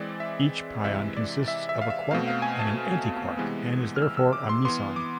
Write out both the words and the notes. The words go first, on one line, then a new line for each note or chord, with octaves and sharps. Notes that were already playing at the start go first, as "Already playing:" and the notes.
Each pion consists of a quark and an antiquark and is therefore a meson.
Already playing: E3 G#3 C4 D5
E5
C3 E3 G#3 E5
D5
E5
E5
F5
E5
B2 A3 C4 F5
F5
G#5
A5
C3 E3 G#3 B3
F6
E6
E6
D6
C6
E3 B3 C6
D6